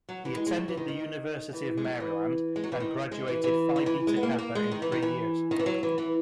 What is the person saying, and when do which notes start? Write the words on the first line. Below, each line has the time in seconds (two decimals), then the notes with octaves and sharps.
He attended the University of Maryland and graduated Phi Beta Kappa in three years.
0.09 F#3
0.25 E3
0.35 G#3
0.47 G#3
0.57 F#3
0.68 E3
0.77 D#3
0.88 D#3
1.53 E3
1.77 G#3
1.84 F#3
2.00 E3
2.56 G#3
2.64 F#3
2.72 E3
2.80 D#3
3.12 G#3
3.28 E3
3.44 E3
3.76 D#3
3.86 E3
4.07 G#3
4.17 B3
4.23 A#3
4.39 A#3
4.55 G#3
4.72 D#3
4.82 E3
4.92 D#3
5.02 E3
5.51 D#3
5.59 E3
5.66 F#3
5.83 E3
5.98 E3